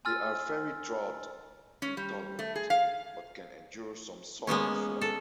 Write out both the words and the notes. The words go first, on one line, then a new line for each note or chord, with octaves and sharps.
They are very drought intolerant, but can endure some soil flooding.
G#5 C6 E6 F6 A6
C#4
G3
A3
G#4
F5
G#3 A#3 B3 C#4
A4